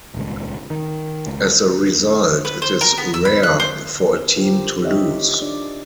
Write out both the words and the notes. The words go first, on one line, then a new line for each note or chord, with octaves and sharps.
As a result, it is rare for a team to lose.
D#1 C#2
D#3
C#2
B4
C5
A#4
B3
E6
B5
F#6
C5
F4 G4 A#4 C5
D#4 F4 G4 C#5 D#5 E5
D4 D5